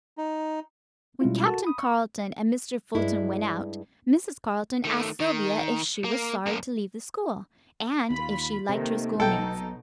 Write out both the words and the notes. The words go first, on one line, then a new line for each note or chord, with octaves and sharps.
When Captain Carleton and Mr. Fulton went out Mrs. Carleton asked Sylvia if she was sorry to leave the school, and if she liked her schoolmates.
D#4
B2 G3 G#3 C#4 E4 F4
F#4 A4 A#4 A5
B5 D#6
C#6
G2 G#3 E4
D#3 A3
D#3
A#3
F#2 A#3
D#2 F4 B5
C3 D#3 A3 A#3
B1 B2 F#3 D#4 A4 G5